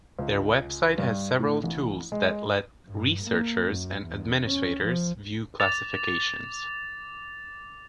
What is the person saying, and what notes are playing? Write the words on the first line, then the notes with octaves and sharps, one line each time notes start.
Their website has several tools that let researchers and administrators view classifications.
C#2
G2
A2
A1
G#3
G2
A#3
F#2
E2
C#4
F3
D6 A6 F7